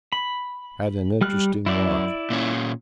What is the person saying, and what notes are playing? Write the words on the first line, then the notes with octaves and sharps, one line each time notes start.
Had an interesting walk.
B5
G3 F6 F#6
F#2 E4 D5
A#2 C#4